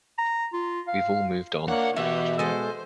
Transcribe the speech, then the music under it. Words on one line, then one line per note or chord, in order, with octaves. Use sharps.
We've all moved on.
A#5
F4
F5
C#2 A#3 D4 C#5 F#5
B2 E3 F#4 G4 E5
G#3 A4 C5